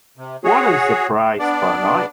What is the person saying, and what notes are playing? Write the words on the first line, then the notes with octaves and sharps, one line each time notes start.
What is the price per night?
C3
F#4 G#4 C#5
B3 D4 D5